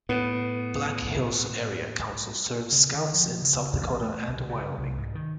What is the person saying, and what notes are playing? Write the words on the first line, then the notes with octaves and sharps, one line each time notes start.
Black Hills Area Council serves Scouts in South Dakota and Wyoming.
A2 B3
C#3
D3
F3
C#3
A1
A3
B1
C#3
C2
G#2
D#3